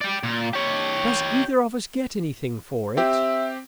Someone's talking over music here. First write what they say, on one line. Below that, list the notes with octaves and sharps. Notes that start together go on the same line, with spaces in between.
"Does either of us get anything for it?"
D5 G5
A#2
G4 C#5
C4 G4 E5